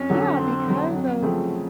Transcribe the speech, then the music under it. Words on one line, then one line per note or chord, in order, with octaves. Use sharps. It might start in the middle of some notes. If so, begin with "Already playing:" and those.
Yeah, because of
Already playing: F2 C#4
D3 F#3
F2 C4
D3 F#3
F2 F#3
C#3 F3 A3 C4